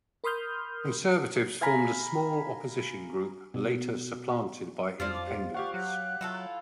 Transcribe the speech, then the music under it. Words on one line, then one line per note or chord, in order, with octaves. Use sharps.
Conservatives formed a small opposition group, later supplanted by Independents.
A#4 B5 C6 D#6 F6 G6
F5 G#5 A#5 B5
B2
F2 F4 C5 D5 F6
D6
G4
G4 F5 F#5 C#6
F#3 F#6
F#3 E4 F4 A4